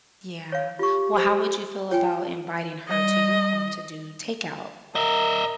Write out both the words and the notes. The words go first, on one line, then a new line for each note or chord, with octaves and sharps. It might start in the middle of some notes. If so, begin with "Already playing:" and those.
Yeah, well, how would you feel about inviting her to your home to do takeout?
C#5 F5
F4 G4 C#6
C5 E6
F4 C#5 G5 G#5
G3 D#5
A#4 D#5 E5